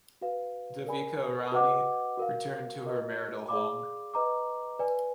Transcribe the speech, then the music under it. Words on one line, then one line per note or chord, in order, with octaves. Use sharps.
Devika Rani returned to her marital home.
F#4 B4 F5
A#4 D5 G#5 B5
F#4 B4 D#5 F#5 D6
F#4 A#4 F5
F#4 A#4 D#5
G#4 D5 F5 B5 D6
B4 D#5 A#5 D6
B4 D5 G#5